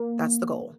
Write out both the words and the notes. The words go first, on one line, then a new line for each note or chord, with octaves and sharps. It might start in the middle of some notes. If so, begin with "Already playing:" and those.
That's the goal
Already playing: A#3